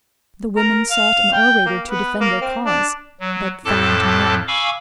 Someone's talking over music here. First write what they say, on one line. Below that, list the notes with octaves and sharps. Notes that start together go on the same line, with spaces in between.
The women sought an orator to defend their cause, but found none.
A#4
F5
G5
A#3
B3
A#3
C4
D4
F#3
F2 A2 A4 A5 D6
F5 G#5 B5 C#6 D6 E6